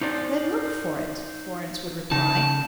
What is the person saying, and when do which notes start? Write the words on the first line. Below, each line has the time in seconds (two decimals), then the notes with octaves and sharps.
"Then look for it!" Florence would reply.
0.01 D#4 C5 D5
2.11 C#3 D#4 A5